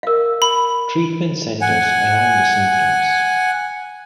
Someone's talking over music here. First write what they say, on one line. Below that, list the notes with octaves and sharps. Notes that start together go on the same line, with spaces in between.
Treatment centres around the symptoms.
A#4 F5
B5
F#5 G#5